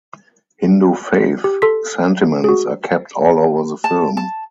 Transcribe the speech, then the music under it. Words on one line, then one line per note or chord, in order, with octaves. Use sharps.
Hindu faith sentiments are kept all over the film.
G4
A4 C6 B6
F#4 G#4
A5
A5